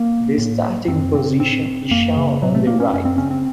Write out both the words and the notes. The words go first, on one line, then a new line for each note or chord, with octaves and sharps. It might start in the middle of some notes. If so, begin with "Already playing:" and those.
The starting position is shown on the right.
Already playing: A#3
A2
F#2 C4
C#3 C4
A2 C4
F#2 A#3
C#3
A2 F#3
A3
A#3
C#4
F#2 C#4
C4
C#3 C#4
C4